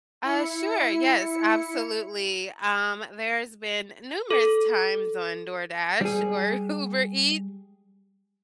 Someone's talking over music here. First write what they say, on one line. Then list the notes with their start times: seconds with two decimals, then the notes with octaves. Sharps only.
Uh, sure. Yes, absolutely. Um, there's been numerous times on DoorDash, or Uber Eats.
0.24 E4 C#7
4.31 A4
6.01 G3 G#4